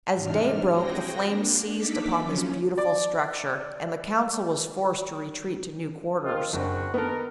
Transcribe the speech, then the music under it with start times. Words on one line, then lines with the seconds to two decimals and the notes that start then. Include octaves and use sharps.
As day broke the flames seized upon this beautiful structure, and the Council was forced to retreat to new quarters.
0.16 G#2 C3 E3 D4 D#4 F6
0.72 C4 F#4 G#4 G5 A#6
1.24 A#3 D4
1.75 A#3 D4 D#4 A4 D5 B6
2.19 F3 F#3 C#4
2.78 D5 D6
6.23 D#3 C4 F4
6.53 F#1 C4 D4 F#4
6.94 D#3 B3 A4 A#4